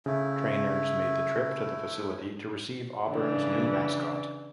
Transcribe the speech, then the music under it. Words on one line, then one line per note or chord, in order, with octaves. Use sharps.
Trainers made the trip to the facility to receive Auburn's new mascot.
C#3 A3 E4
C#3 E3 D4